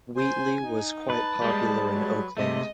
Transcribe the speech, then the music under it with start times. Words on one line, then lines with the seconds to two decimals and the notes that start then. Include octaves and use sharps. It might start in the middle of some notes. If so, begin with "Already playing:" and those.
Wheatley was quite popular in Oakland.
0.17 C5 G#5
0.61 D#4
1.10 B4 A5
1.42 G3 G#3
1.92 F#3
2.37 C3 G#3 A3 D#5